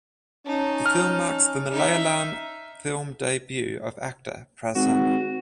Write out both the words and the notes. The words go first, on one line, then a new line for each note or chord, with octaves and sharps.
The film marks the Malayalam film debut of actor Prasanna.
C#4 D#4 A5
F6
D#4 E5
G#1 F#4